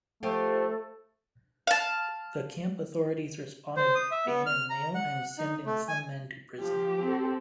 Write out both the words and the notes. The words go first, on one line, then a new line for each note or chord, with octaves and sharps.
The camp authorities responded by banning mail and sending some men to prison.
F3 A3 G4 A4
F5 A5
C5
D#6
E5
B3
F6
A#5
F#5
D#4
A3
G#5
F3 G4
C4 A4